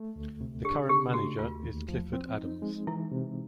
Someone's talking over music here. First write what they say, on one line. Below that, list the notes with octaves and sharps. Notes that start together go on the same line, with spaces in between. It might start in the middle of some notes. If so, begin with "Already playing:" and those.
The current manager is Clifford Adams.
Already playing: A3
D2
C3
D4 G4
C#3 G4
A3 F#4
D#2 F4
D#2
F3
C4
D#4
G#3
E3 E4
C3